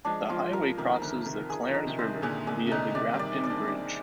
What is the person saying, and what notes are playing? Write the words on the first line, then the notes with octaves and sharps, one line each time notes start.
The highway crosses the Clarence River via the Grafton Bridge.
F3 G#3 D4
F3 G#3 F4
A#4
C3 D#3 A#4
D3 F3 A#4
C3 D#3 A#4
G#4
D3 F3
D#4
C3 D#3
D3 C5
C3
A#2 D3 G#4
A#2 D3 G#4
C3
A#2 D3 D#4
C3 D#3 D5
D#3 G3
D5
C4 D#4
D5
A#3 D4
D5